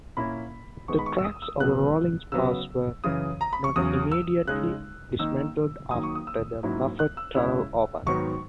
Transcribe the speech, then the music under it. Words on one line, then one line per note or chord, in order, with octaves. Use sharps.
The tracks over Rollins Pass were not immediately dismantled after the Moffat Tunnel opened.
A#2 A#3 C#4 E4 B5
D#3 G#3 B3 C#6
B5
C#6
E6
D#6
E6
B2 F#3 B3 F#6
C#3 F#3 B3 E6
F#2 C#3 E3 D#6
A#5
B5
C#6
E2 C#3 F#3 C#4 D#6
E6
C#3 G#3 D#4 F#6
D#3 A#3 D#4 E6
D#3 F#3 A#3 D#6
C#6
D#6
E6
G#2 F#3 A#3 C#4 E4
F#6
E6
C#3 G#3 C#4 E4 E6
G#2 D#3 F#3 B3 C#6